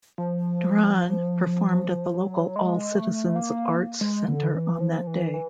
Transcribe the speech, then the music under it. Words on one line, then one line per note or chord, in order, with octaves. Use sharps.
Doiron performed at the local All Citizens arts centre on that day.
F3
F#3
G#3
A3
A#3
G#3
D3
E3
F3
E3
E3